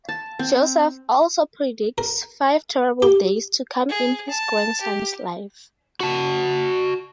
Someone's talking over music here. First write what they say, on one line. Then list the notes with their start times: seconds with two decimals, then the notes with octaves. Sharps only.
Josef also predicts five terrible days to come in his grandson's life.
0.08 A5
0.39 C4
1.98 A#4
3.02 G4
3.89 G#4
4.30 A5
4.81 G4
6.01 F#4 A5